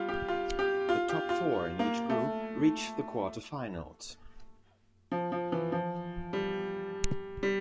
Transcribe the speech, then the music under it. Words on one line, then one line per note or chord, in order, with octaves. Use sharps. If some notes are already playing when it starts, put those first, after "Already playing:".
The top four in each group reach the quarter-finals.
Already playing: G3 F4
G4
F4
G4
F4
G4
F4
A#3
A3
F3
F3
E3
F3
G3
G3